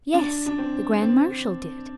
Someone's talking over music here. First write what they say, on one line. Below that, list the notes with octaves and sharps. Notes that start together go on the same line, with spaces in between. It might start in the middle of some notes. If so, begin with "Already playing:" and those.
"Yes; the grand marshal did."
D4
D4
C4
C4